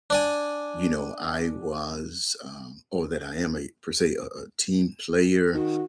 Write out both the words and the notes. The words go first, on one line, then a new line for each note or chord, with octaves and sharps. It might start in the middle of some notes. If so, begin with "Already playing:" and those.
you know, I was, um or that I am a, per se, a a team player,
D4 D5 G#5
D#3 F#4